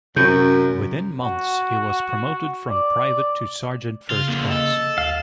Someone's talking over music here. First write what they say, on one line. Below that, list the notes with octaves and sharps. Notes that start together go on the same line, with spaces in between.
Within months, he was promoted from private to sergeant first class.
F#2 C3 G6
F#4
D5
C#3 F4
F2 D3 A#3
A4 D#5
D2 F5 F6